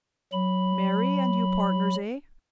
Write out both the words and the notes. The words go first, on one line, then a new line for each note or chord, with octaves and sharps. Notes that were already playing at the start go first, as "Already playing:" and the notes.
Mary and you partners--eh?
F#3 B5